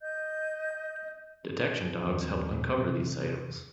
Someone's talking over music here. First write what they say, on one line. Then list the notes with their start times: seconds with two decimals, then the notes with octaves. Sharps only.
Detection dogs help uncover these items.
0.01 D#5 G6
2.06 D#2 F3 G3 C4
2.78 C3 E3